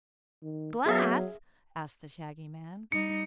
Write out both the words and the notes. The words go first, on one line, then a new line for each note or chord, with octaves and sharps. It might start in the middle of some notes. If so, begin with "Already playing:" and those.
"Glass?" asked the Shaggy Man.
D#3
F#3 B3 G#4 E5 F5
G3 D#4 C#7